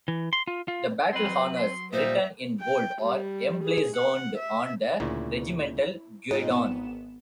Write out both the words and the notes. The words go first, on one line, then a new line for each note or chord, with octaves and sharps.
The battle honours written in bold are emblazoned on the regimental guidon.
E3
C6
F4
F4
F#3 C4 B4 C6
C6
A#2 G3 D#4 C5 E5
G5
G3
G#4
F#5
E5
D2 A#2 C#3 E4
G#2 C4 F4 D#5
G#1 B3 E7